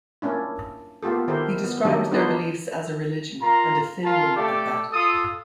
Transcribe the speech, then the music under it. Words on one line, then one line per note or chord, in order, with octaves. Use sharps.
He described their beliefs as a religion and a thin one at that.
A#3 C#4 D4 E4
A#3 B3 F4 G4 A4
D#3 E4 G4 A4 A#4 C5
B3
D#3 F#3 G3 D4 D#4 G4
B3 D4 D#4 F4 B4 C5
F4 A#4 A#5
F4 A#4 F5 A5
A3 G4 A4 D5
F4 A4 D#6